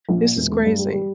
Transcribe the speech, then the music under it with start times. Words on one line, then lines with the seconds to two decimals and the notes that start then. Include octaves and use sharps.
This is crazy.
0.09 A#1
0.22 A#2
0.36 E1
0.51 A3
0.64 G2
0.79 G3
0.93 G3